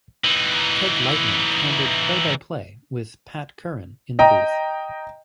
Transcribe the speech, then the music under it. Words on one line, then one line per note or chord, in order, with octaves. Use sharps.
Ted Leitner handled play-by-play with Pat Curran in the booth.
E3 D#4
D#5 G5 A#5